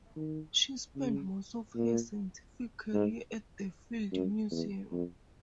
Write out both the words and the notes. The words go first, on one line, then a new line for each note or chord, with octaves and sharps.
She spent most of her scientific career at the Field Museum.
D#3
C#3
A#2
G#2
F#2
E2
F2